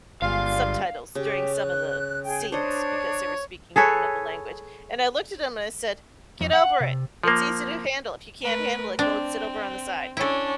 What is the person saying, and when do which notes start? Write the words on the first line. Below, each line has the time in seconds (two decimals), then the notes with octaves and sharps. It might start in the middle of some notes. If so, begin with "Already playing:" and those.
subtitles during some of the scenes because they were speaking in another language. And I looked at them and I said, "Get over it. It's easy to handle. If you can't handle it, go sit over on the side.
0.22 G1 G2 G3 G#3 F4 F5
1.15 C#3 G4
1.56 F#6
2.24 G#4 G5
2.52 D4 C5 C#5 D#5
3.76 G#4 A4 B4 C#5
6.41 F2
6.53 F#5
6.80 C3
7.23 F3 A#3
8.42 A3 A#4 B4
8.99 C4 D4
10.17 C#4 D4 E4 A4